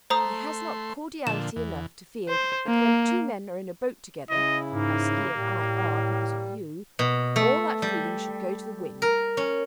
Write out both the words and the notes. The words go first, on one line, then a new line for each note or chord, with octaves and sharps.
He has not cordiality enough to feel that when two men are in a boat together, as he and I are because of you, all that feeling should go to the wind.
A3 C5 A#5 C6 D#6
A#2 D3 F3 E7
E2
C5
A#3
C#3 E4 D#5
G#2 A#3
A2 G3
B2
A3
G3
A#4
C#4